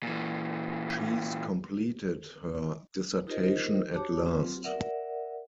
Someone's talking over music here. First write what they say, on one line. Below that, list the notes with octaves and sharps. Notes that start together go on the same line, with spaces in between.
She's completed her dissertation at last.
A#2 E3
D#4 F4 G4 A#4 C5 D#5
D4 F#4 G4 C#5 A5 D6
F#3 C4 F4
A#4 D5 E5 F#5